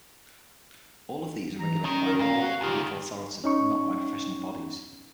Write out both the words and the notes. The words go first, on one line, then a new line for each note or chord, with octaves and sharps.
All of these are regulated by law or public authority, not by professional bodies.
E3 A#5
D#3 C#4
A#4
F2 F5 A#5
F#4
D2 D#3 F4 G4
C#4 D#4 C#6